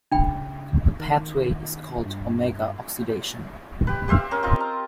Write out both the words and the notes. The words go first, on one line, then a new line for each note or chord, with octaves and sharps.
The pathway is called omega oxidation.
C#3 D4 G5 B5
D#3
G2
G4 B4
G4 C5 E5 F5
C#4 A#4
C4 F4 D#5
A#5